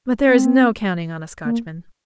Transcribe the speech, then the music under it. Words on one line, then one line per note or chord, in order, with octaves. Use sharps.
But there is no counting on a Scotchman.
C4
A#3